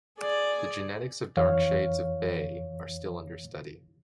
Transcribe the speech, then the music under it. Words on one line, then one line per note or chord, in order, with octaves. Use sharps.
The genetics of dark shades of bay are still under study.
G#4 D5
F2 E3 C#5 F5